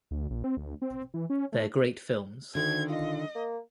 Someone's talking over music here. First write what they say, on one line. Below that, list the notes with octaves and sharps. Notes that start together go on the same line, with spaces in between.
They're great films.
D2
A#1
C4
D2
C4
E3
C#4
A3
D2 D3 D#3 G#6
F4 D#5
A#3